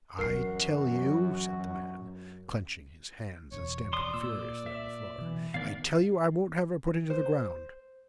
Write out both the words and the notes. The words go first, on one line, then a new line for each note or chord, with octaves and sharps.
'I tell you,' said the man: clenching his hands, and stamping furiously on the floor,--'I tell you I won't have her put into the ground.
F#2 E3 F#3 F#4 A#4 C7
E1 C#5
D5 C6 D#6
A#2 E6
E5
B2 E3
A2 D#3 B3 A#4 D5 F5
C5